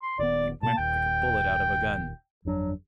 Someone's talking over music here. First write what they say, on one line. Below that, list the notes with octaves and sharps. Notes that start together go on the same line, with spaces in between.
He went like a bullet out of a gun.
C6
D#1 D#2 B3 D5
B2 A#3 A5
D#1 D#2 G5
G1 F2 F#3 D4